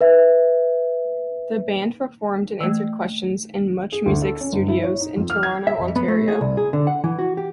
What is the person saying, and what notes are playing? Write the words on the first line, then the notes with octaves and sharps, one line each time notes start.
The band performed and answered questions in MuchMusic's studios in Toronto, Ontario.
B4 E5
E3 A3
G#4
D2
A4
C#4
G1
E4
C#5
D#4
F2
F6
G#6
E5
F2
B3
A3
G#4
C2
G#4
D3
F#5
E3
F#4
G4